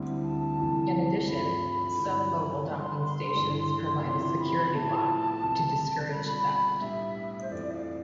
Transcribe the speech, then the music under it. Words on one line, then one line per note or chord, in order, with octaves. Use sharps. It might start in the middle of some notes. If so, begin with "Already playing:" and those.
In addition, some mobile docking-stations provide a security-lock to discourage theft.
Already playing: D2 D3 G3 C4 E4
A5
D2 C3 E3 G3
G2 F3 C4 F4 A4 B5
G2 D3 F3 C4 E4
D3 G3 B3 D4
C6
B5
C6
G2 E3 A3 D4
C3 F3 B3 E4 G4 C6
B5
A2 F3 B3 E4 A5
C2 C3 G3 C4
B2 G3 C4 F4 B5
A2 G3 B3 D4 G4 E5
C5
F2 E3 A3 D5
F5